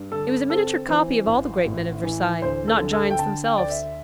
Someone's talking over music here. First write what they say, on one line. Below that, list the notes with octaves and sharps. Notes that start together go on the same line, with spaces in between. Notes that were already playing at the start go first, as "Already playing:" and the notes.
It was a miniature copy of all the great men of Versailles, not giants themselves.
Already playing: G2
D3 A4
C4 A4
E3 C5
A1
A2
E3
D2 C5
A4
D3
A4
G5
D3 A5
G5
D2 D5
E5